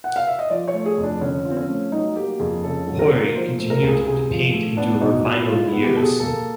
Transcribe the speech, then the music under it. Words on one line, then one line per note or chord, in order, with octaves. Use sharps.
Hori continued to paint into her final years.
F#5
F5
E5
D#5
F3 D5
C#5
A3
G#4
F2
D4
D3 C#4
F3
C4
C#4
A3
F#3 D#4
A#3 G4
F2 G#4
C#3 A4
F#3
A#4
A#3
F3 C5
A3
A#4
C#2
G#4
C3 G#4
F3
A3
B3 D4
B2 D#4
B2 E4
G#3 F4
E4
B3
G4
B2 A4
G#4
A#3 A4